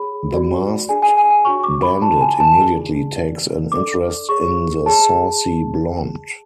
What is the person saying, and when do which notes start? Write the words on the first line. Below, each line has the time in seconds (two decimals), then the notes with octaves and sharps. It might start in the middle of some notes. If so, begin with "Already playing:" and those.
The masked bandit immediately takes an interest in the saucy blonde.
Already playing: G#4 C#5 B5
0.32 F#4 B4 D5
0.88 D4 G#4 D5 G#5
1.02 G#5
1.17 G#5
1.30 G#5
1.45 D4 F#4 C#5 C#6
1.64 D6
1.83 B5
2.02 F#4 B4 D5 A5
2.21 G#5
2.40 A5
2.59 D4 G#4 D5
3.16 E4 B4 D5
3.72 D4 A4 D5 D6
4.29 G#4 C#5 C#6
4.86 G#4 C#5 A5